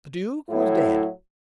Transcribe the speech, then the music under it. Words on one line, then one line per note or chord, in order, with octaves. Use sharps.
The Duke was dead.
A2 F#3 E4